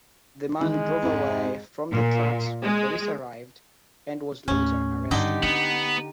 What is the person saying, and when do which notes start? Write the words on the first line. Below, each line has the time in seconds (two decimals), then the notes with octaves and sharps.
The man drove away from the tracks when police arrived and was later arrested.
0.61 D#3 E3 G#3
1.03 F2 G#2
1.91 A#2
2.63 G#3
4.48 D#2 A2 C#4
5.11 G2 D3 D#3 D#4 G4
5.43 B3 D4